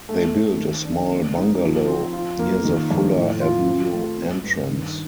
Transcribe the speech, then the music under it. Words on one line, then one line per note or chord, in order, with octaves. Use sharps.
They built a small bungalow near the Fuller Avenue entrance.
A3
C4
D#3
D4
A#3
D#4
F3
C4
F4
A#3
D#3
F2
A2
F4
C4
A3
C4
G2
D#3